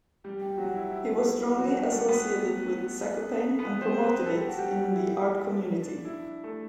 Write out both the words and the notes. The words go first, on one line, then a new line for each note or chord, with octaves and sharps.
He was strongly associated with Zakopane and promoted it in the art community.
G3 G4
G3 G4
F#3 F#4
E4
E4
E4
F#3 F#4
G3 G4
A3 A4
B3 B4
B3 B4
C4 C5
B3 B4
A4
G4
F#4
G3 G4
E4
D4
E4
A3 A4